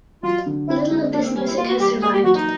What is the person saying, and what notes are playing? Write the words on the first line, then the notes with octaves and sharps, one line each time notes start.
Little of this music has survived.
F#3 F4
D3
C4 E4
G#3 D#4
A#3 D4
C4
G3 C#4
E4
A#3 F4
F#4
G3 G4
A#3 G#4
G4
F#3 F#4
D#4